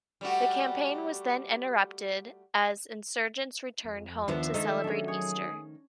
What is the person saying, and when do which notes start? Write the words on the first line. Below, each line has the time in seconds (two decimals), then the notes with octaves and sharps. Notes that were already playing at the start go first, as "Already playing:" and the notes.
The campaign was then interrupted, as insurgents returned home to celebrate Easter.
0.21 G3 A3 F#4
3.85 F2
4.28 D#2 D#3 F3 B3 D4 E5
4.54 D#3 G#3 A3 D#5 E6
4.84 F#3 C#4 D4
5.08 G#4 C#5